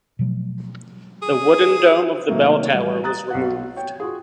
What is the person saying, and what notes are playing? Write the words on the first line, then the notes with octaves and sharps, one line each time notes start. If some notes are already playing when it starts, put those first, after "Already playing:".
The wooden dome of the bell tower was removed.
B2 F3 F#3 A3
G#4
C3 D#3 F#3 A3 A#3 A4
A2 E3 G3
A#5 D#6 F#6 A6
B1 F#5
C#5 G5
F4 F#4 G#4